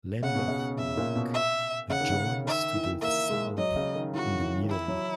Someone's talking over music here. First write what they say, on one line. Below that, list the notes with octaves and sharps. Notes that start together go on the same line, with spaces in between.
Lambeth Walk adjoins to the south in the middle.
C#3 F#5
B2
C#3
B2 E5
A#2
B2
E5
C#3 F#5
D#3
C#3
D#3 E5
E3
A#3 E5
G#3
F#3 D#5
C#3
D#3
E3 F#4
E3
D#3
E3 E4
F#3